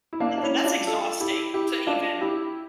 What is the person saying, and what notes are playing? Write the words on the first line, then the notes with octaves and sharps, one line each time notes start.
That's e that's exhausting to even
E4
A#3 D4
D4
C#4 E4
D4 F4
F4 A4
E4 G4
E4 G4
D4 F4
E4 G4